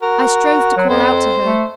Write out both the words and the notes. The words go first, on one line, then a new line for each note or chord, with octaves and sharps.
I strove to call out to her.
F#4 A#4
F#3
F2 C5
A3